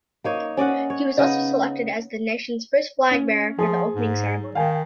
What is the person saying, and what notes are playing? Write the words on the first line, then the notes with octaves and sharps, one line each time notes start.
She was also selected as the nation's first flag bearer for the opening ceremony.
A#3 D#4 C#5
C#4 D5 D#5 F#5
C#5
C#3 B3 D#4 D#5
C#4
F3 G#4
G#2
D#3 F5 G5 G#5